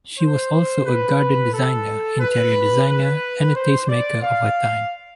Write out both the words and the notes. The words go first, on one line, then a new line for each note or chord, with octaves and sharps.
She was also a garden designer, interior designer, and a taste-maker of her time.
C5
B4
A4
B4
B4
C5
D5
F5